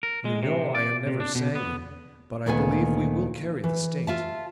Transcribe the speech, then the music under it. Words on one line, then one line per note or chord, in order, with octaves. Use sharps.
You know I am never sanguine; but I believe we will carry the State.
A#4
G#3
C3
D5
C3
D4
B2
B3
D2 A#2 D#3 B3 A4 G#5
E3
F4 E5 A5